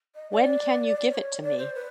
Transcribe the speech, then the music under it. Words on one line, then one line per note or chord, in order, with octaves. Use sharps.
When can you give it to me?
D#5
D5
C#5
D5
C5
B4